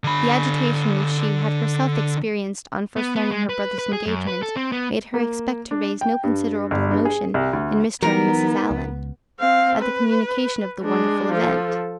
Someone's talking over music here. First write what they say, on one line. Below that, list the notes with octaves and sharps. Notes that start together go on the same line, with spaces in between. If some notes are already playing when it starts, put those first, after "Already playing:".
The agitation which she had herself experienced on first learning her brother's engagement made her expect to raise no inconsiderable emotion in Mr. and Mrs. Allen, by the communication of the wonderful event.
D3 B5
B3
B3
G#3
B4
B4
G#4
F#2
B4
A4
C4
B3
A#3
D4
G5
G2
G1
G2
G#4
C2
D2
E3 F#3 B3 D#4 A#4
C#2
C4 F5
B4
G#3 D4
F3 A4